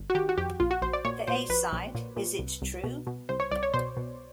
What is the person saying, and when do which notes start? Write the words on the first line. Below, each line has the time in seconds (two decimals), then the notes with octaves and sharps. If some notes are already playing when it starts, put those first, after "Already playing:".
The A-side Is It True?
Already playing: G1
0.10 F#4
0.15 D#3 G4
0.29 F#4
0.38 F2 G4
0.60 A#1 F4
0.71 F#4
0.82 A#1 C5
0.93 D5
1.05 A#2 C#5
1.27 A#2 C5
1.49 A#1 B4
1.73 A#1
1.95 A#2
2.16 A#2
2.39 C2
2.62 C2
2.84 B2
3.07 B2
3.29 C2 C5
3.40 C#5
3.51 C2 D5
3.63 C#5
3.74 B2 C5
3.97 B2